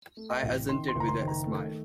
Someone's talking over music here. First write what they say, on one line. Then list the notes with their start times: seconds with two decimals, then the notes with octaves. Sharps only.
I assented with a smile.
0.17 A3
0.30 D#5
0.43 A1
0.69 D#3 C6
0.88 C6
0.95 F#1
1.00 A#5
1.08 C6
1.21 D#3
1.28 A#5
1.47 A3